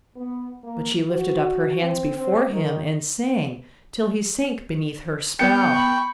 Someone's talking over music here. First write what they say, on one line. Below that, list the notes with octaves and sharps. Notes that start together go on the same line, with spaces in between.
But she lifted up her hands before him, and sang, till he sank beneath her spell.
B3
A#3
F#4
C4
C4
D#3
B3 G5 C#7
B5 C#6